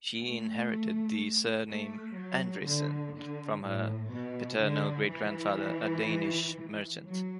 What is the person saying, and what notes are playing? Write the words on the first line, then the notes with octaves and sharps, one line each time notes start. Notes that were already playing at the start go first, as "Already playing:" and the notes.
She inherited the surname 'Andresen' from her paternal great grandfather, a Danish merchant.
A3
A3
F#3
D3
D3
A2
B2
D3
E3
F#3